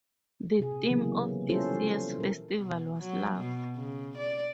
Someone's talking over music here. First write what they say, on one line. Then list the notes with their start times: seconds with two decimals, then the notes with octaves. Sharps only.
The theme of this year's festival was love.
0.59 C3 G#4
0.71 A#2
0.90 C#3 E3 F#3 A#3 B3
1.49 C#4 E4 F4 G4 A4 C5
1.69 E3 G3
2.18 A#2 A#4
2.59 B2
2.98 F#3
3.37 B2
3.77 C#3
4.18 D5